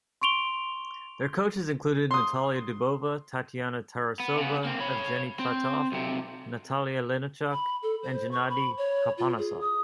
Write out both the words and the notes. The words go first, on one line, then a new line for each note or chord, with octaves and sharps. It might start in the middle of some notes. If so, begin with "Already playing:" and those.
Their coaches included Natalia Dubova, Tatiana Tarasova, Evgeni Platov, Natalia Linichuk and Gennadi Karponosov.
C6 C#6 D7 F7 G7
C6 D#6
B3
C#3 B3
A#3 C4
C#5 B5
C4
B1 C3
B5
A4
C5
C#6
B5
C#5
F4
G#4
D#6